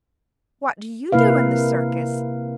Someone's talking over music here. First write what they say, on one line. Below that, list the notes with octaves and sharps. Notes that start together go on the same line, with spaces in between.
"What do you do in the circus?"
C3 A#3 E4 B4 F5